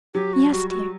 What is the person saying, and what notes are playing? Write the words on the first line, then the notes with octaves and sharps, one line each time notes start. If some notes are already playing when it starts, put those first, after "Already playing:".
"Yes, dear."
F#3 G4
F#4
G3 F#4
F#4